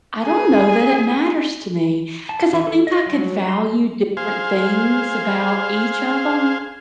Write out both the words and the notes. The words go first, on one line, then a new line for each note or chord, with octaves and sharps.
I don't know that it matters to me, 'cause I think I could value different things about each of 'em,
G#4 G#5
A5
E3
A4
D#5
F#3
C6
G#4 C5 F5